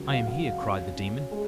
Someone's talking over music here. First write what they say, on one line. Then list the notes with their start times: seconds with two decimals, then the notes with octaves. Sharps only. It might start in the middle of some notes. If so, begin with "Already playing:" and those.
"I am here!" cried the demon.
Already playing: C#2 F#3
0.10 F5
0.27 F#3 F5
0.45 F#5
0.62 C#4
0.96 C#4
1.31 G#3